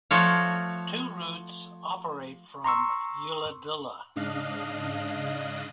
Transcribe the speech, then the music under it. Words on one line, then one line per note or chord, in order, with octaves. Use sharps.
Two routes operate from Ulladulla.
F3 A3 F#4 A4 C#5 F5
A#5 C6 C#6 E6
G#2 C#3 D4 D#5 F5 F#6